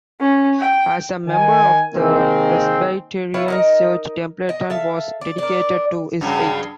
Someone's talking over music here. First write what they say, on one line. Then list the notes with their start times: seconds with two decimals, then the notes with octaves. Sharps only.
As a member of the Presbyterian Church, Templeton was dedicated to his faith.
0.20 C#4
0.60 G5
1.26 D#3 G#5
1.95 C3 D#3 G#3 A#3 C4
3.34 E4 F4 B4 C#5
3.48 D#4 A#4 D#5
4.49 D#5
4.70 A4 E5 F5
5.21 D5
5.38 D4 A#4
6.21 G2 C#3 F#3